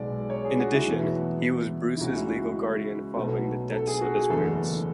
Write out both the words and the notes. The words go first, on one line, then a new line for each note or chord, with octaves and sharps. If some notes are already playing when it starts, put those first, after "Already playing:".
In addition, he was Bruce's legal guardian following the deaths of his parents.
Already playing: B1 B2 G#3 D5
C#5
G#4
F#4
E4
E2 B2 F#3 A3
E4
C#2 C#3 G#3 F#4
E4
F#4
B1 B2 F#3 A3
A4
G#4
F#4
G#4
F#1 E2 D3 A3 A4